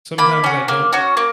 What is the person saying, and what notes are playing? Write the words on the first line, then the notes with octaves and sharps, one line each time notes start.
Sometimes I don't
A#3 B5
C#4 F#4
A#3
C#4 F#4
A#3